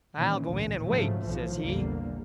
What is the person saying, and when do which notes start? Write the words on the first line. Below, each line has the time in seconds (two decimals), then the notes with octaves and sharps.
'I'll go in and wait,' says he.
0.16 A#2 D#3 E3 C#4
0.47 A1 D2 A#2
0.86 G#2 C#3 F3 F#3 A3
1.23 B1 A2 E3 F3
1.60 A#1 E2 D3 G3 A#3